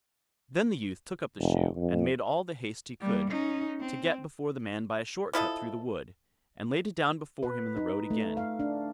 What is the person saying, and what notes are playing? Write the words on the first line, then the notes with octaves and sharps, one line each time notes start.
Then the youth took up the shoe, and made all the haste he could to get before the man by a short cut through the wood, and laid it down before him in the road again.
F1
F2
G3 A#3
C#4 D#4
C4
F3 E4 A4 D#5
B4
D#4
A3
F5
D4